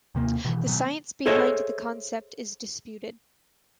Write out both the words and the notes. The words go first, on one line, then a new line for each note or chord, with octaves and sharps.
The science behind the concept is disputed.
D#2 C3 A#3
B2 D#3 E3
B2 D#3 F#3 B3
G#4 A4 C5 C#5 D#5 E5